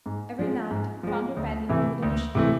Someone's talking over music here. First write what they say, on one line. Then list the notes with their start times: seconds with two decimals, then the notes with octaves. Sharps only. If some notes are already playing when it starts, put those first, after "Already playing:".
Every night found her bending over the machine.
0.06 G#2
0.39 F3 G#3
0.71 G#2
1.03 F3 G#3
1.37 D2
1.69 C3 E3 A3 E4
2.03 D2
2.35 C3 E3 A3 E4